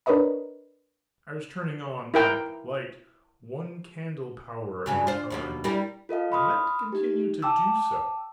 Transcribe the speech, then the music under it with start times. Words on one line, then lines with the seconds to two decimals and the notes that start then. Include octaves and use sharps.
I was turning on my light one-candle-power at a time, and meant to continue to do so.
0.06 D4 A#4 B4 C#5 D#5 A#5
2.14 E4 A#4 G5 A#5
4.86 G2 C#3 F#3
5.07 F4 C5
5.30 D#2 B2 A#3
5.64 G3 E4 A#4
6.09 F4 A4 D#5 F5
6.32 B5 C6 D#6 F6
6.92 D#4 G4
7.42 G5 A5 D6 E6